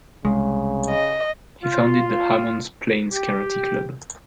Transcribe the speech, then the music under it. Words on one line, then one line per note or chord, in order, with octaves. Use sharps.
He founded the Hammonds Plains Karate Club.
C2 C#3 G#3
D#5
F4
G4